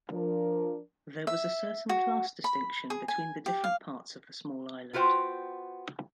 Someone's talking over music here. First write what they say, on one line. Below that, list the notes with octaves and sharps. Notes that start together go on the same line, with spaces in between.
There was a certain class distinction between the different parts of the small island.
F3 D4 A#4
E5
F#4
B5
G#4
G#5
G4
F5
B3 F4 F#4 C5 G5